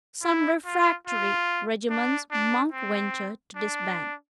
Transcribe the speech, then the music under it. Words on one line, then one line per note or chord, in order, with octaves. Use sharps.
Some refractory regiments Monk ventured to disband.
E4
F4
F4
D4
D4
C4
D4